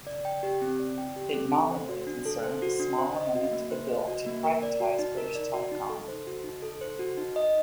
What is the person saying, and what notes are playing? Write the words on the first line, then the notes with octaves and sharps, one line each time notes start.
It nominally concerned a small amendment to the bill to privatise British Telecom.
D5
G5
G4
C4
D5
G5
G4
C4
A4
C5
F#4
D4
A4
C5
F#4
D4
C5
D#5
F#4
A#3
C5
D#5
F#4
A#3
A#4
D5
F#4
D#4
A#4
D5
F#4
D#4
A4
C5
F#4
D#4
A4
C5
F#4
D#4
D#5